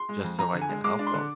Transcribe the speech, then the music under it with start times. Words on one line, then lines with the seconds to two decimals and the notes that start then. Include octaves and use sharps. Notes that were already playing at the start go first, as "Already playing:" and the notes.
just so I can help 'em.
Already playing: C6
0.09 G#3
0.23 F2
0.38 F2 A#5
0.53 D3
0.61 G#5
0.69 G#3
0.84 G#3 D6
0.99 D4
1.06 C6
1.14 D3